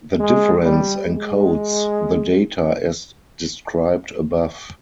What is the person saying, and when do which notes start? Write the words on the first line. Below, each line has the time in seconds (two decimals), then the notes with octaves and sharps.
The difference encodes the data as described above.
0.20 G#3
0.65 G3
1.08 G#3